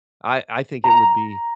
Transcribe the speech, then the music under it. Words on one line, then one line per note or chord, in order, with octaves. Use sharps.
I I think it would be
A#5